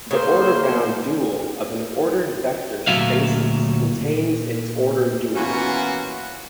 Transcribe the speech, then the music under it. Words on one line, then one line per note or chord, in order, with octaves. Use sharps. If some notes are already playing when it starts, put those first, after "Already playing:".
The order bound dual of an ordered vector spaces contains its order dual.
C#3 A#3 C5
D2 A#2 F#3 E5 F5
A#2
B2 E3 A#3 C#4 F4 F#4